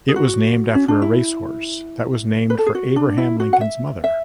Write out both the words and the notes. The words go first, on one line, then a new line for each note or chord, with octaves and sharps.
It was named after a race horse that was named for Abraham Lincoln's mother.
G#4
F#4
C#4
D4
E4
B4
A4
G#4
F#4
D4
E4
F#4
F#5
E5
E5